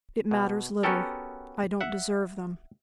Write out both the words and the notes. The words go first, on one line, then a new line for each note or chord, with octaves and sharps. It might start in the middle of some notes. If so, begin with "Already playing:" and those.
It matters little; I don't deserve them.
B2
B3 C#4 F#4 G4 A4 A#4
E5 F#5